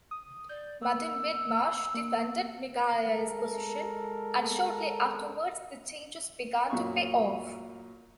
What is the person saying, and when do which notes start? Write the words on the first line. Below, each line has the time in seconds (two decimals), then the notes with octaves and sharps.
Martin Whitmarsh defended Michael's position, and shortly afterwards the changes began to pay off.
0.11 D#6
0.49 D5 G6
0.82 A#3 E6
1.94 A#3
3.06 G#3 A4 A#4
6.70 F#2 A#2 F5 C#6